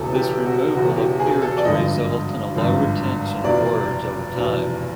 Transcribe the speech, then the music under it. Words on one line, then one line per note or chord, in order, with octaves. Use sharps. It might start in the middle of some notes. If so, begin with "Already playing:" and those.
This removal appeared to result in a low retention of words over time.
Already playing: E1 E2 C#3 E3 A4
G4
F#4
E1 E2 C#3 E3 F#4
G4
G#4
A4
D5
G#1 G2 D3 F3 D#5
G#1 G2 D3 F3
F1 E2 B2 D5
F1 E2 B2